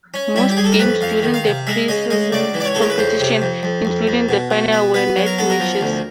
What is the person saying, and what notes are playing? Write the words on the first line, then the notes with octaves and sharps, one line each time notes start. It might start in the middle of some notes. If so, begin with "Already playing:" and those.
Most games during the pre-season competition, including the final, were night matches.
C#4
G3 E4
G4
G3 G#4
A4
A#4
F2 B4
F2 F5
D#3
F5
C3
G#3 E5
C#3 D#5
G#3 D#5
C#2 D5
E3
D5
C#5
C#3 A4
A#4
B4
F2 C5
C3
F2
F2
F2
F2
B2
B2
B3
B3 B4
F#3
A#4
B3 A4
A#4
F3
D2